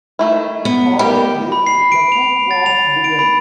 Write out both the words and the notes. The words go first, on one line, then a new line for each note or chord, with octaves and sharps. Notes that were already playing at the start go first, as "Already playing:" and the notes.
Following this, the coup was begun.
D#3 A3 E4
B3
D#3 G3 G4 B5
B5
C7
D7
F7
A6
F7
D7
B5